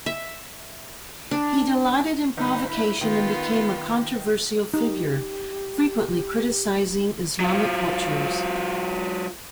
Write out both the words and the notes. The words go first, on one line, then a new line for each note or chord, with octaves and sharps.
He delighted in provocation and became a controversial figure, frequently criticizing Islamic cultures.
E5
D4
G1 D#4 B5
E4
D#3 B3 F4
D#4 G4
F#3 F4